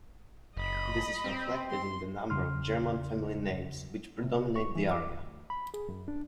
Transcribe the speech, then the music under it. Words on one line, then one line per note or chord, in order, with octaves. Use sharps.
This is reflected in the number of German family names which predominate the area.
F#1 D#5 B5
C4
C6
E2 C#3 C6 F6
C3
C#6
E3
D6
D2
B5
G#4
F#2
D4